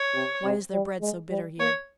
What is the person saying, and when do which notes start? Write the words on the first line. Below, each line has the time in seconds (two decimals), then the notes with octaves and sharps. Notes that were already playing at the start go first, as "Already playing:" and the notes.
"Why is their bread so bitter here?"
Already playing: C#5
0.15 C3
0.44 C3
0.73 G3
1.01 G#3
1.30 G3
1.59 A#3 C#5